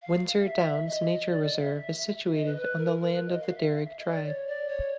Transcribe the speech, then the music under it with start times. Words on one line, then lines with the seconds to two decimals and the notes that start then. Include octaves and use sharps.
Windsor Downs Nature Reserve is situated on the land of the Darug tribe.
0.02 F5
0.45 E5
0.87 D#5
1.29 D5
1.44 D#5
1.57 E5
2.35 D#5
2.46 B4
2.57 B4
2.78 A#4
2.99 A#4
3.13 B4
3.27 D#5
3.41 F5
3.54 E5
3.67 F5
3.83 E5
3.98 D#5
4.11 D5
4.26 C#5
4.47 D5
4.69 C#5